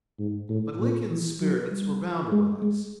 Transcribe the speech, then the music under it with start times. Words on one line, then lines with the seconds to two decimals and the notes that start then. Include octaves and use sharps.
But Lincoln's spirits were bound to rise.
0.19 G#2
0.50 A2
0.80 A#2
1.10 E3
1.40 F#3
1.71 G3
2.32 G#3
2.62 G#3